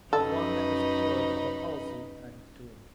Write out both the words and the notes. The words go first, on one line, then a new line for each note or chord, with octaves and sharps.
Of one that was cured of a palsy at his tomb.
F#2 D#4 A4 B4